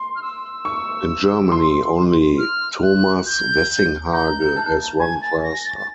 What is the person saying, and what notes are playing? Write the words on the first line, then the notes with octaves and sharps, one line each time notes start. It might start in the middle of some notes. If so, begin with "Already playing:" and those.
In Germany only Thomas Wessinghage has run faster.
Already playing: C6
F6
E6
C#6
C6
F6
F#6
G6
A#5 G6
A5
G#5 G#6
A6
A#6
A6
A6